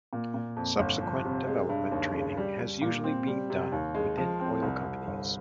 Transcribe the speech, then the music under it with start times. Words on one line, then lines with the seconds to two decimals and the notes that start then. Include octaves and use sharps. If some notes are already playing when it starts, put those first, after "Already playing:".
Subsequent development training has usually been done within oil companies.
0.13 A#2
0.34 A#2
0.56 F2
0.79 G1
1.03 F3
1.25 C3
1.47 G#3
1.69 G2
1.92 D#2
2.14 C#3
2.37 G3
2.60 G3
2.82 A#2
3.04 C4
3.27 G3
3.50 C3
3.72 D#2
3.95 G#3
4.17 F3
4.40 C4
4.62 C2
4.84 C2
5.07 G1